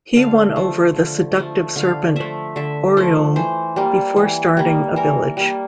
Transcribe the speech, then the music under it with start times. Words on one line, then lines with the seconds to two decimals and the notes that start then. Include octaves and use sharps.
He won over the seductive serpent Oriol before starting a village.
0.15 D3 F5
0.56 F3 A3
0.96 D3
1.37 F3 A3
1.76 D3 F5
2.16 F3 A3 E5
2.56 D3 E5
2.97 F3 A3
3.36 E3 C5
3.76 G3 A#3
4.16 E3
4.57 G3 A#3
4.96 E3 A#4
5.37 G3 A#3